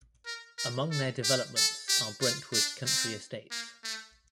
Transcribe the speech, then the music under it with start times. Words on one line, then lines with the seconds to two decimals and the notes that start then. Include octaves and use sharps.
Among their developments are Brentwood Country Estates.
0.26 A#4
0.58 A#4
0.91 A4
1.23 G4
1.56 A4
1.89 G4
2.21 F4
2.54 D4
2.86 C4
3.51 A#3
3.84 A3